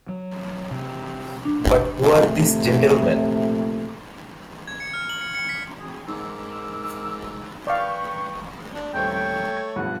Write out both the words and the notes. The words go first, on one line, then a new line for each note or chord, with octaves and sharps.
But who are these gentlemen?
F#3
C3
D4
A#1 C3 A3
G#6
C#7
F6
F#7
C#7
C#7
B6
C4 F#4 G#4
G#2 A#4 D6 E6
B4 D5 F5 G5 C#6
D4
D#1 A3 C5 C#5 G5
G5
G#6
B1 G2 F3 F#5